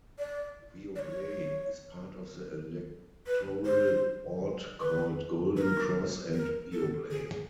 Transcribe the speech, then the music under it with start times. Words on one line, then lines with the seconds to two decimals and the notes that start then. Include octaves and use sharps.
Weobley is part of the electoral ward called Golden Cross and Weobley.
0.19 D5
0.96 D5
0.99 C#5
3.27 B4
3.65 C5
4.80 B4
5.57 B4
5.61 A#4
6.34 A#4
6.73 A4
7.11 G#4